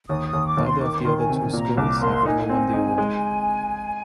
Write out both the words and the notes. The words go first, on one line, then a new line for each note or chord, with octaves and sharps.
Neither of the other two schools have ever won the award.
D#2 D#6
D#6
D#2
D6
D#2
C6
D#3 D6
C6
D#3
G#5
C3
G#5
A#2 A#5
C2 D6
A#3 C6
D#4 G#5
C4
D#4
G#3